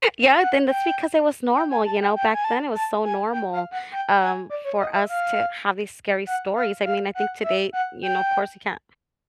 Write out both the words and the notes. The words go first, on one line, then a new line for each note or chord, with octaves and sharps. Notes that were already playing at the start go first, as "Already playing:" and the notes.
yeah then that's because it was normal, you know, back then, it was so normal, um, for us to have these scary stories I mean, I think today you know, of course, you can't
F#5
G5
G5
G#5
A5
G5
G5
G#5
A5
A5
G#5
G5
F5
F#5
G5
G#5
D5
C#5
D#5
E5
F5
F#5
F5
F5
F#5
E5
F#5
G5